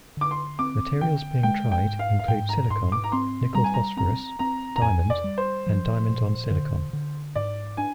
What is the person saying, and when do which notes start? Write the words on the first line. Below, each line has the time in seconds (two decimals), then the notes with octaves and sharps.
Materials being tried include silicon, nickel phosphorus, diamond, and diamond-on-silicon.
0.17 D3 D6
0.31 C6
0.59 C4 D6
1.01 D3 G5
1.43 G#3 G5
1.72 G5
1.85 G#2
1.99 F5
2.19 F5
2.28 G#2 G5
2.49 A#5
2.70 G#2 C6
2.92 D6
3.04 A#5
3.12 C4 C6
3.55 G3 A#5
3.64 G#5
3.74 A#5
3.97 C4 A#5
4.39 C4 A#5
4.76 A#5
4.82 F2 G#5
5.10 D5
5.24 G3
5.38 C5
5.66 F3
6.09 A#2
6.51 D3
6.93 D3
7.35 G#2 D5
7.77 D4 G#5